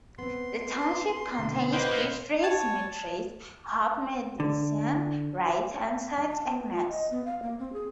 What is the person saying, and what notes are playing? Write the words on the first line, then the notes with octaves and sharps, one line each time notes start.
The township contains these three cemeteries: Hope, Medicine Rite and Saint Agnes.
B3 C4 C6
B2 D3
A#3 B4 C5 D#5 G5
B2 A#3 B3 F5
C#5 A5
D3
A5
B3
F4
D#5
B3
F5
A#3
C4
G#4